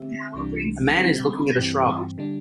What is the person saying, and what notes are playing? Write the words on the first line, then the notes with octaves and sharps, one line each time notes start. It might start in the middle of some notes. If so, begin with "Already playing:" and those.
A man is looking at a shrub.
Already playing: D3 C4 G4 E5
C2 C3 E3 G3 D4
D3 G3 C4
G2 E3 G3 C4 G4
D3 G3 D4